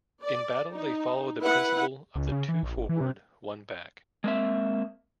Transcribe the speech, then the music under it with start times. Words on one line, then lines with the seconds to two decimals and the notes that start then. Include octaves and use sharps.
In battle they followed the principle of two forward, one back.
0.23 D5
0.72 D#4
1.43 E4 B4 F#5
2.16 C#2
2.32 C#3
2.49 E3
2.63 A#1
2.77 G1
2.89 E3
3.01 C3
4.24 G#3 A#3 C4 E5